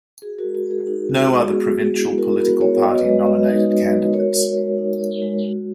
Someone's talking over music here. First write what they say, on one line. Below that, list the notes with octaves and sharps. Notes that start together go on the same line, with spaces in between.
No other provincial political party nominated candidates.
F#4 G#4
F#4 A#4
G#3
F#4
G#3
G#4
D#4 F#4
F#4
G#3
F#4
B3 G#4
B3
E4
E4 F#4 A#4
B3 F#4 A#4
B3 A#4 C#5
F#4 D#5
C#5
B4 D#5
G#3
G#3
D#4
F#4
G#3
F#4 A#4 C#5
G#3
G#3
D#4
F#4
G#3
F#4